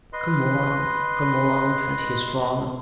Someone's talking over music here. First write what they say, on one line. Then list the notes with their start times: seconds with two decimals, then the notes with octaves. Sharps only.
"Come along, come along!" said his father.
0.13 B4 D#5 C6